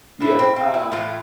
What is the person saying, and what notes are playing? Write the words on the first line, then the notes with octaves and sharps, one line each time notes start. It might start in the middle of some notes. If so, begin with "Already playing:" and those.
Yeah, uh
A2 E3 A3 E4
C4
C4
E4
A2 E3 A3 F4